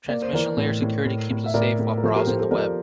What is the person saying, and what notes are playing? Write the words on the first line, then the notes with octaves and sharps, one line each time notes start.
Transmission Layer Security keeps us safe while browsing the web.
A#3 D5
C5
E3 A#4 D5
A2
A2
A2
A2
E5
A2 A#4 D5
A2
A#4
F3 A4 C5
G4 A#4
F3 A4 C5
A4 C5
F3 A#4 D5